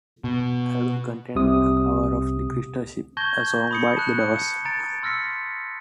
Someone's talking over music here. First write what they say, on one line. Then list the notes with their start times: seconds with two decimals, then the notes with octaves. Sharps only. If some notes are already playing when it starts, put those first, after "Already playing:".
This album contains a cover of "The Crystal Ship", a song by "The Doors".
0.24 B2
1.35 C2 C3 D#6
3.17 A5 C#6 G6 G#6 A#6 G7
3.71 B5 D#6 C#7
3.97 A5 F#6 C#7
4.36 C#7
4.65 A#5 A6 D7
5.03 C6 E6 F6 A#6 B6 C#7